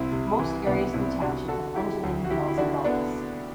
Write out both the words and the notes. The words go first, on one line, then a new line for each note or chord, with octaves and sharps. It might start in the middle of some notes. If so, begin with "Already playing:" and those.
Most areas in the township have undulating hills and gullies.
Already playing: C2 C4 E4
C3
E3
C2 B3 D4
C2 C4 E4
C3 D4 F#4
D3 F#4 A4
D3 E4 G4
D2
F#4
D2 E4 G4
E4
D3 D4 F#4
D3 B3 D4